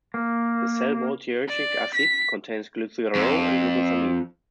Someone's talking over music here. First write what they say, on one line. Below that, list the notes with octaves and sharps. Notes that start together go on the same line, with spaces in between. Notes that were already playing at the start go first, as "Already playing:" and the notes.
The cell wall teichoic acid contains glycerol and glucosamine.
A#3
D5
B6
F2